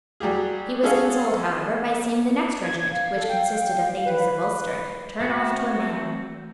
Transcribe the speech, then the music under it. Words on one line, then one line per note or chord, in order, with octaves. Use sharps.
He was consoled, however, by seeing the next regiment, which consisted of natives of Ulster, turn off to a man.
F#3 G3 G4 G#4
B3 C#4 G#4 A4 C#5 F5
G#6
F5
A4
G5
B4
A3 C4 F#4